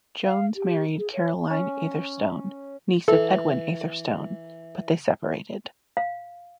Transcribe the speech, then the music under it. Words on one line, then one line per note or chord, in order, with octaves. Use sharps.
Jones married Caroline Atherstone, niece of Edwin Atherstone, but they separated.
F5
G4
G#4
C#5
C#4
E3 A4
F5